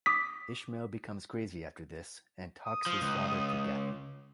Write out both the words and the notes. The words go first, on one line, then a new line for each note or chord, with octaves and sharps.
Ishmael becomes crazy after this, and "talks his father to death".
D6 D#6 B6
D#6
F3
C#2